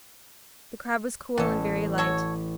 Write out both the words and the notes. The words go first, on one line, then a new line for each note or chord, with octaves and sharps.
The crab was cool and very light.
A1 B3 A4
F#4 A4 C#5